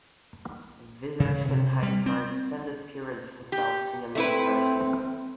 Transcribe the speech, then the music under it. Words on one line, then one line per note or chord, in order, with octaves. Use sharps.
Visitors can hike for extended periods without seeing another person.
C#3
C3
G3
C4
G4
A3 C4 E4 B4